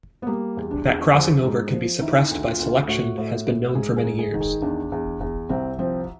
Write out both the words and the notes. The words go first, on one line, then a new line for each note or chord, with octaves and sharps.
That crossing-over can be suppressed by selection has been known for many years.
B3
G3 A#3
E2
D4
E2
F3
G#2
F3
D#3 E4
D2
F4
D2
A2 F#4
A2
A2
G#2 G#4
G#4
G#2
G#4
D#3
G#4
E2 D4
E2
E2
C2 C4
F3 C4